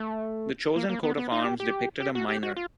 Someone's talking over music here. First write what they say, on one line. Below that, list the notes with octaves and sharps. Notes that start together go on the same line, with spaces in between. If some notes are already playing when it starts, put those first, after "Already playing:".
The chosen coat of arms depicted a miner.
Already playing: A3
A#3
A#3
B3
B3
D#4
G4
G4
G4
F#4
G4
F#4
F4